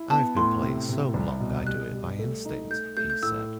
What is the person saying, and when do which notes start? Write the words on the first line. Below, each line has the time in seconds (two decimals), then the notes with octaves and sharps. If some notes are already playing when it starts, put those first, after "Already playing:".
"I've been playing so long I do it by instinct" he said.
Already playing: E4
0.10 B3 A5
0.36 A2 C6
0.62 C3
0.89 C3
1.14 C2
1.40 B2
1.67 G3 F#6
1.93 G3
2.19 A3
2.45 D#4
2.70 A3 G6
2.97 A3 G6
3.10 G6
3.23 A2 E6